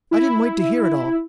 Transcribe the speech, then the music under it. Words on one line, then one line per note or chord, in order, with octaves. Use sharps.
I didn't wait to hear it all.
E4